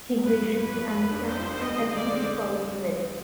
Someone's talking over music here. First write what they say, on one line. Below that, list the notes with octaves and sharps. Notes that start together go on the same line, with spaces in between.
He graciously understands and agrees to call off the wedding.
G#1 B4
G2 F3
G#1 B4
G2 F3
F1
F2 D#3 G3 D4
F1 C5
F2 D#3 G3 D4
D2 D#5
D3 G#3 C4 D#4
D2 D5
D3 G#3 C4 D#4